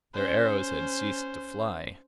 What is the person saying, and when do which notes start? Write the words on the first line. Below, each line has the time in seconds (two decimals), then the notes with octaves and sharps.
Their arrows had ceased to fly.
0.14 C#4 C5